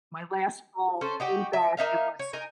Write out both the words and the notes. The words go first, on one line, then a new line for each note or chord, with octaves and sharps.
my last bowl came back, it was
C#4 A4 C5
D#4 F#4 G4
E5
A#3 D#4 E5 F5
C#5
D#4 A#4 G#5